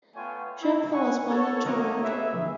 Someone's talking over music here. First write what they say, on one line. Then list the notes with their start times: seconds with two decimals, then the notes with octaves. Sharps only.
Chappell was born in Toronto.
0.15 A3 B3 F4 C#5 G5 G#5
0.61 E4
0.93 F#5 G#5 C#6
1.28 F#4 A4 C#5
1.65 A#3 D#4 F#4 A#4 C#5 D#5
2.03 G4 G#4 B4 E5